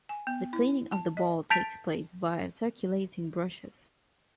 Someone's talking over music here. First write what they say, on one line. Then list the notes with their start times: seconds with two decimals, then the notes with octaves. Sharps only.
The cleaning of the ball takes place via circulating brushes.
0.09 G#5
0.27 B3
0.53 E4
0.92 A5
1.17 D#5
1.50 A5 G6 A6 B6 D7 F7